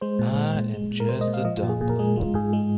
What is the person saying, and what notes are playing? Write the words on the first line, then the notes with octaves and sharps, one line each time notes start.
I am just a dumpling.
G#3 C5
A#2
G#3
A#2
G#3
A#2
A#4
G#3 C5
D#5
A#2
F5
F3 D#5
F4
A#2
G#4
A#2 G#4
A#4
G#3 G#4
G#3 F4
G#2 G#4
G#3